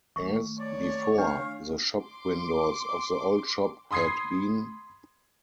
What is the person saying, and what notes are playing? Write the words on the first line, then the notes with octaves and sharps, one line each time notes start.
As, before, the shop windows of the old shop had been.
D#3 A3 C#6
C#5 D5
D4 F5
C6 D6
B5 C6 D#6 G#6 C7